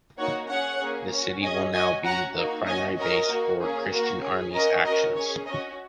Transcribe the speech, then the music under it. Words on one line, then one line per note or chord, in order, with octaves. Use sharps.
The city will now be the primary base for christian armies' actions.
A#3 D#4 F#4 C#5 F#5
C#4 G#4 C#5 F#5
A#3 C#4 G#4
C#4 F#4
C#4 G#4 D#5 G#5
C#4 F#4 D#5 G#5
C#4 F#4 F#5 A#5
A#3 D#4 F#4
C#4 F#4 D#5 G#5
C#4 F#4 A#4 D#5
A#3 F#4
A#3 C#4 G#4
A#3 F#4 A#4
C#4 G#4
C#4 F#4 A#4 D#5
C#4 F#4 A#4 D#5
C#4 G#4 C#5
C#4 F#4 A#4 D#5